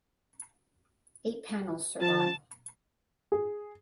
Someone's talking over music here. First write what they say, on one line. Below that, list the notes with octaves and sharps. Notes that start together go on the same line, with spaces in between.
Eight panels survive.
F3 A5
G#4